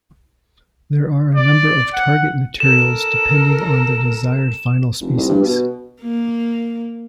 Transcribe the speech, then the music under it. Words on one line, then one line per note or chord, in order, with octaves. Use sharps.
There are a number of target materials depending on the desired final species.
D5
F#5
A4 A#4 E7
F1
C2
G2
B2
A#3